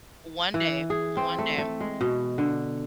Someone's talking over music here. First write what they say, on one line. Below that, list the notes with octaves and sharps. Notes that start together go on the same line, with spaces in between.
one day, one day.
E3
G#4
C4
A3
A3
G#3
B2
D3